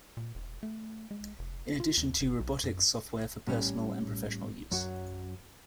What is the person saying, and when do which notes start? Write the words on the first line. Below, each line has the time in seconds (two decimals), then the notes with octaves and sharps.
In addition to robotics software for personal and professional use.
0.17 A#2
0.35 E1
0.63 A3
1.11 G#3
1.39 F1
1.80 F4
1.97 D#2
2.20 F#1
2.40 B1
2.64 F#2
3.47 A2 G3 C#4
4.72 F#2 F#3